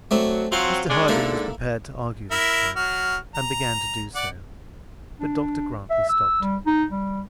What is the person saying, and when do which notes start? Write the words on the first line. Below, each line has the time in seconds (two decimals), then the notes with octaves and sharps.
Mr Harding was prepared to argue this point, and began to do so, but Dr Grantly stopped him.
0.11 F#3 A3 C4 D4
0.52 F#3 C4 F4 F5
0.89 G#3 C#4 D4
1.08 G#2 D3 A#3 E4 A4
2.31 E4 A#4 E5
2.76 F#3 F#4 F6
3.35 A#5
4.15 D5 F#5
5.20 D4
5.90 E5
6.09 E6
6.42 G3
6.66 D#4
6.91 G3